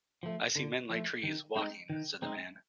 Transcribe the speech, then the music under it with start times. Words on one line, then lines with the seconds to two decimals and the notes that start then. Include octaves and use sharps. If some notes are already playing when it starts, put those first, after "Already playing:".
"I see men like trees, walking," said the man.
0.23 F3 A3
0.55 D3
0.90 F3 A3
1.23 D#3
1.56 G#3 C4 D#4
1.90 D#3
2.22 G#3 C4 D#4